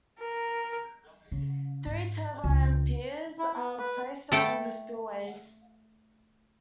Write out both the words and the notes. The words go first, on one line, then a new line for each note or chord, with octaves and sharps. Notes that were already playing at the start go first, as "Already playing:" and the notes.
Three turbine piers are placed among the spillways.
A#4
C#3
G#2
C#2
E4
B3
B4
A3 A4 G5